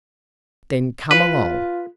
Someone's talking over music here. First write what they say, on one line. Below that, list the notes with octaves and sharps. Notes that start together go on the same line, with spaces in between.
"Then come along."
F4 B4